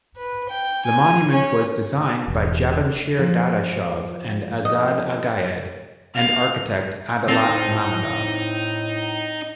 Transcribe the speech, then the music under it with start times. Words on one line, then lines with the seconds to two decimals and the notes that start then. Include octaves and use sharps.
The monument was designed by Javanshir Dadashov and Azad Agayed, and architect Adalat Mammadov.
0.17 B4
0.49 G5
0.85 G#5
1.31 C#4
2.28 E1
3.19 F3
4.65 D#5
6.15 F5
7.28 A2 C4 D#4 A5